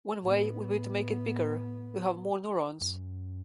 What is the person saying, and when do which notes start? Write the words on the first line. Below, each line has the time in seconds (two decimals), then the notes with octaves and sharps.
One way would be to make it bigger, to have more neurons.
0.21 A2 B3
2.81 F#2